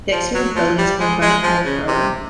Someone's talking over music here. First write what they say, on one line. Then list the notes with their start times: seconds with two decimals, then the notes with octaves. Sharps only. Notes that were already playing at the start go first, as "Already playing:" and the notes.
The exterior of the building is covered in granite from North Carolina.
0.12 F3
0.35 F#3
0.56 F3
0.78 G3
1.00 G#3
1.22 G#3
1.43 F3
1.65 C#3
1.88 C3